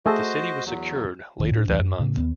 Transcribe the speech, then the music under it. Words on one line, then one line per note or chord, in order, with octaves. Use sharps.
The city was secured later that month.
A3 F#4 G#4 A4 C5 D#5
E2 F#3
E1 A#1 D#3
A2 D4
A1 D2 E3 G3
F#2
A2 C#3
D#2 B3